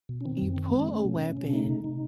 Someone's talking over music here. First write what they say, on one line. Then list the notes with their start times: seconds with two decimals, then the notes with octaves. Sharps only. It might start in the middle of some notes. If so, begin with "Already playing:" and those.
You pull a weapon,
0.09 B2
0.21 C#4
0.25 D#3 C4
0.42 F#2
0.57 D#3
0.74 G#3
0.88 A3 C#4
1.05 B2
1.20 B2
1.37 B2
1.48 D4
1.53 A3 D#4
1.69 C3
1.84 C3